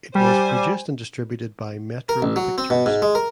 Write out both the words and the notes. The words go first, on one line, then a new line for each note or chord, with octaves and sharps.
It was produced and distributed by Metro Pictures.
G3 C5 G#5
A#4
A1
F#3
C4
B2
G#2
G#3
A#4